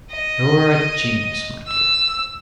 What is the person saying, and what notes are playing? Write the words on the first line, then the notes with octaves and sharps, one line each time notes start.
'You're a genius, my dear.'
D#5
E6